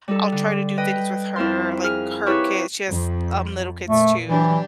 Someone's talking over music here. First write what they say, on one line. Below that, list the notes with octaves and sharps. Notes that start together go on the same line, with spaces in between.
I'll try to do things with her, like, her kids she has, um, little kids, too.
G3 D#4 A4
D3
B4 D#5 G5
F2 C4 E4 A#4 C6
G#4 F6
D#4 E4 G4 B4 C#5 C#6
F2
A#2 A3
E3 F#3 D4 G4